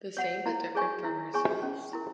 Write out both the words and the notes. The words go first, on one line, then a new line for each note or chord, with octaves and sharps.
The same but different from ourselves.
C#5 F#5
E4
G#4 C#5 G#5 C#6
E4
G#4 C#5 G#5 C#6
C#4
E4 A#4